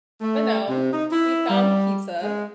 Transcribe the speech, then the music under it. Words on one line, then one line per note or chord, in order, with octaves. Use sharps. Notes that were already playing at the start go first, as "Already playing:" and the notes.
But no, we found the pizza,
A3
C3
D#4
E4
G3
G#3